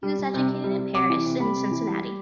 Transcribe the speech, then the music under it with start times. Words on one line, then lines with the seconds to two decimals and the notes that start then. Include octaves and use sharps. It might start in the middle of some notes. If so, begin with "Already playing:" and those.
He was educated in Paris and Cincinnati.
0.03 G3
0.19 G3
0.34 C3
0.49 C3
0.64 G3
0.79 G3
0.94 C3 D6
1.09 E3
1.25 C3
1.40 G3 B5
1.56 C3
1.71 E3
1.86 G3
2.02 G3